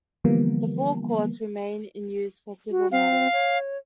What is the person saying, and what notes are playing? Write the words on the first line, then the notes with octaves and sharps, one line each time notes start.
The Four Courts remain in use for civil matters.
D3 E3 F3 G3 A#3 B3
F#4
C4 F5
C#5